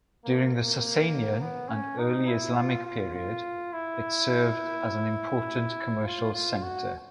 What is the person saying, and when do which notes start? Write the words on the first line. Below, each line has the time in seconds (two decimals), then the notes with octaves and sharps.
During the Sasanian and early Islamic period it served as an important commercial center.
0.24 A#3
0.53 A#3
1.41 B3
1.68 C#4
1.99 D#4
2.27 E4
2.56 F4
2.85 F4
3.15 F4
3.73 E4
6.05 F4
6.34 F4
6.62 F#4